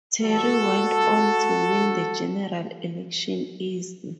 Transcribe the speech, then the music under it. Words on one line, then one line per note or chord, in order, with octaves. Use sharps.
Terry went on to win the general election easily.
A2 E3 G3 F#4 A4
C2 C3 G3
D2 D3 G3